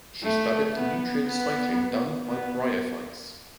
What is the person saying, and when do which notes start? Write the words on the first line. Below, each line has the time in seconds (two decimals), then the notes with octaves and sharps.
She studied the nutrient cycling done by bryophytes.
0.23 A3
0.75 B3
1.25 B3
2.26 B3